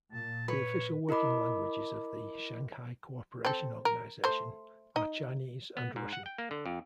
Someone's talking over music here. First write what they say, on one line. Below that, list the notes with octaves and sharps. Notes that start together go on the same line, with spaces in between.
The official working languages of the Shanghai Cooperation Organisation are Chinese and Russian.
A#2 A5
B4 C#5
E4 A#4 D#5 B5 D6
C4 A4
A#4
A3 C5
D#4 D#5
B3
G#2
F#5
G5
A#3
D3
F2